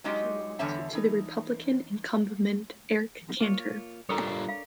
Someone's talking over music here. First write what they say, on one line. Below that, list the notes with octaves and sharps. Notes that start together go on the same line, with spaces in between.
She lost to the Republican incumbent, Eric Cantor.
F#3 G#3 D#4 F4 G4 D#5
E2 D3 G3 C#5 E5 A5
E3 D#4
A#3 F4 C#5
G3 D4 F4 A4 A#4 C#5 A#5
F5